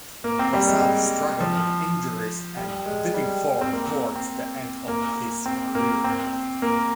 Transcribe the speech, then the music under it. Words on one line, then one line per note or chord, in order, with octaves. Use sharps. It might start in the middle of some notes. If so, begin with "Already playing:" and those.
Prasad struggled with injuries and dipping form towards the end of his career.
A#3
C4
G3
G#3
G3
F3
G3
G#3
G3
C4
A#3
C4
A#3
C4
A#3
C4
A#3